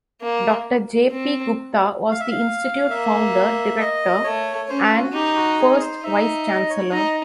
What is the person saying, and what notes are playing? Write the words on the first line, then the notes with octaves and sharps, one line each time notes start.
Doctor J. P. Gupta was the institute founder director and first Vice-Chancellor.
A#3
C4
F5
E5
F5
A#3 E5
D#5
A3 C#5
C#4 C5
B4
F4
F#4
D#4 G4
F#4
G#4
C5
D#4 E5
D#5
C#5
D#4 D#5